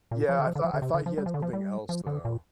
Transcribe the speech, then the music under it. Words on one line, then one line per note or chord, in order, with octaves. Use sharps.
Yeah, I thought I thought he had something else though.
A#2
F3
D3
F3
D3
F3
D3
C3
D3
F3
G3
F3
D3
F3
G3
F3
D3
A#2